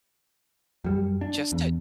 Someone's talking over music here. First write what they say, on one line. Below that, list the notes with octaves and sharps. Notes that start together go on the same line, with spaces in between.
just to
F#2 G3
D4
E2